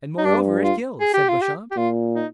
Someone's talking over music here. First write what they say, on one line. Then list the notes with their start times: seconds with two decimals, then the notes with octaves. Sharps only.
"And moreover, it kills," said Beauchamp.
0.18 D#4
0.25 G2 D4
0.63 F4
1.00 G#4
1.14 G4
1.29 F4
1.42 G4
1.71 G4
1.77 A#2 F4
2.15 D#4